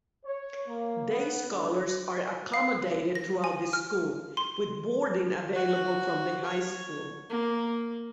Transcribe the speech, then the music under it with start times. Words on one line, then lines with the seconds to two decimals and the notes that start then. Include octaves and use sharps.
Day scholars are accommodated throughout the school, with boarding available from the high school.
0.24 C#5
0.67 A#3
1.10 B3
1.50 D3
2.54 F5
3.15 A#6
3.44 G#5
3.73 F6
4.37 C6
5.55 F#4
6.44 C#5
7.30 A#3